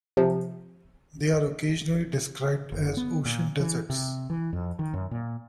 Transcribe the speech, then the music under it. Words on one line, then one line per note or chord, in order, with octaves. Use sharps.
They are occasionally described as "ocean deserts".
C3 F3
F#1
B3
A#2
E3
C3
E3
F2
D#3
F#2
A#2